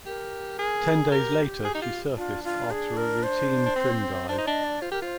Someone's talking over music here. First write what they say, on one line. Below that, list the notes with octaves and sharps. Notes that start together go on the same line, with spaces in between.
Ten days later, she surfaced after a routine trim dive.
G4 A#4
G#4
G4 A#4
G#4
D#4
F4
D4 F4
F4
G#4
A#4
C5
D4
C4
D4 C5
D#4
D4 D#5
D5
F4 C5
G4 A#4
F4 C5